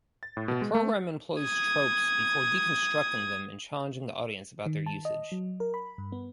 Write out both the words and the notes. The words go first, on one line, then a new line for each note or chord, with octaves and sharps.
The programme employs tropes before deconstructing them and challenging the audience about their usage.
A6
A2
B2
G#3
A3
D#6 G#6
D#3
A5
D#5
F#3
A#4
B5
G2
B3